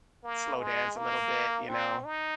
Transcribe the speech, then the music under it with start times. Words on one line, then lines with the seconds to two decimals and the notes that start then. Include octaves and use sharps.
slow dance a little bit, you know,
0.24 A#3
0.60 G#3
0.96 A#3
1.68 C4
2.04 D#4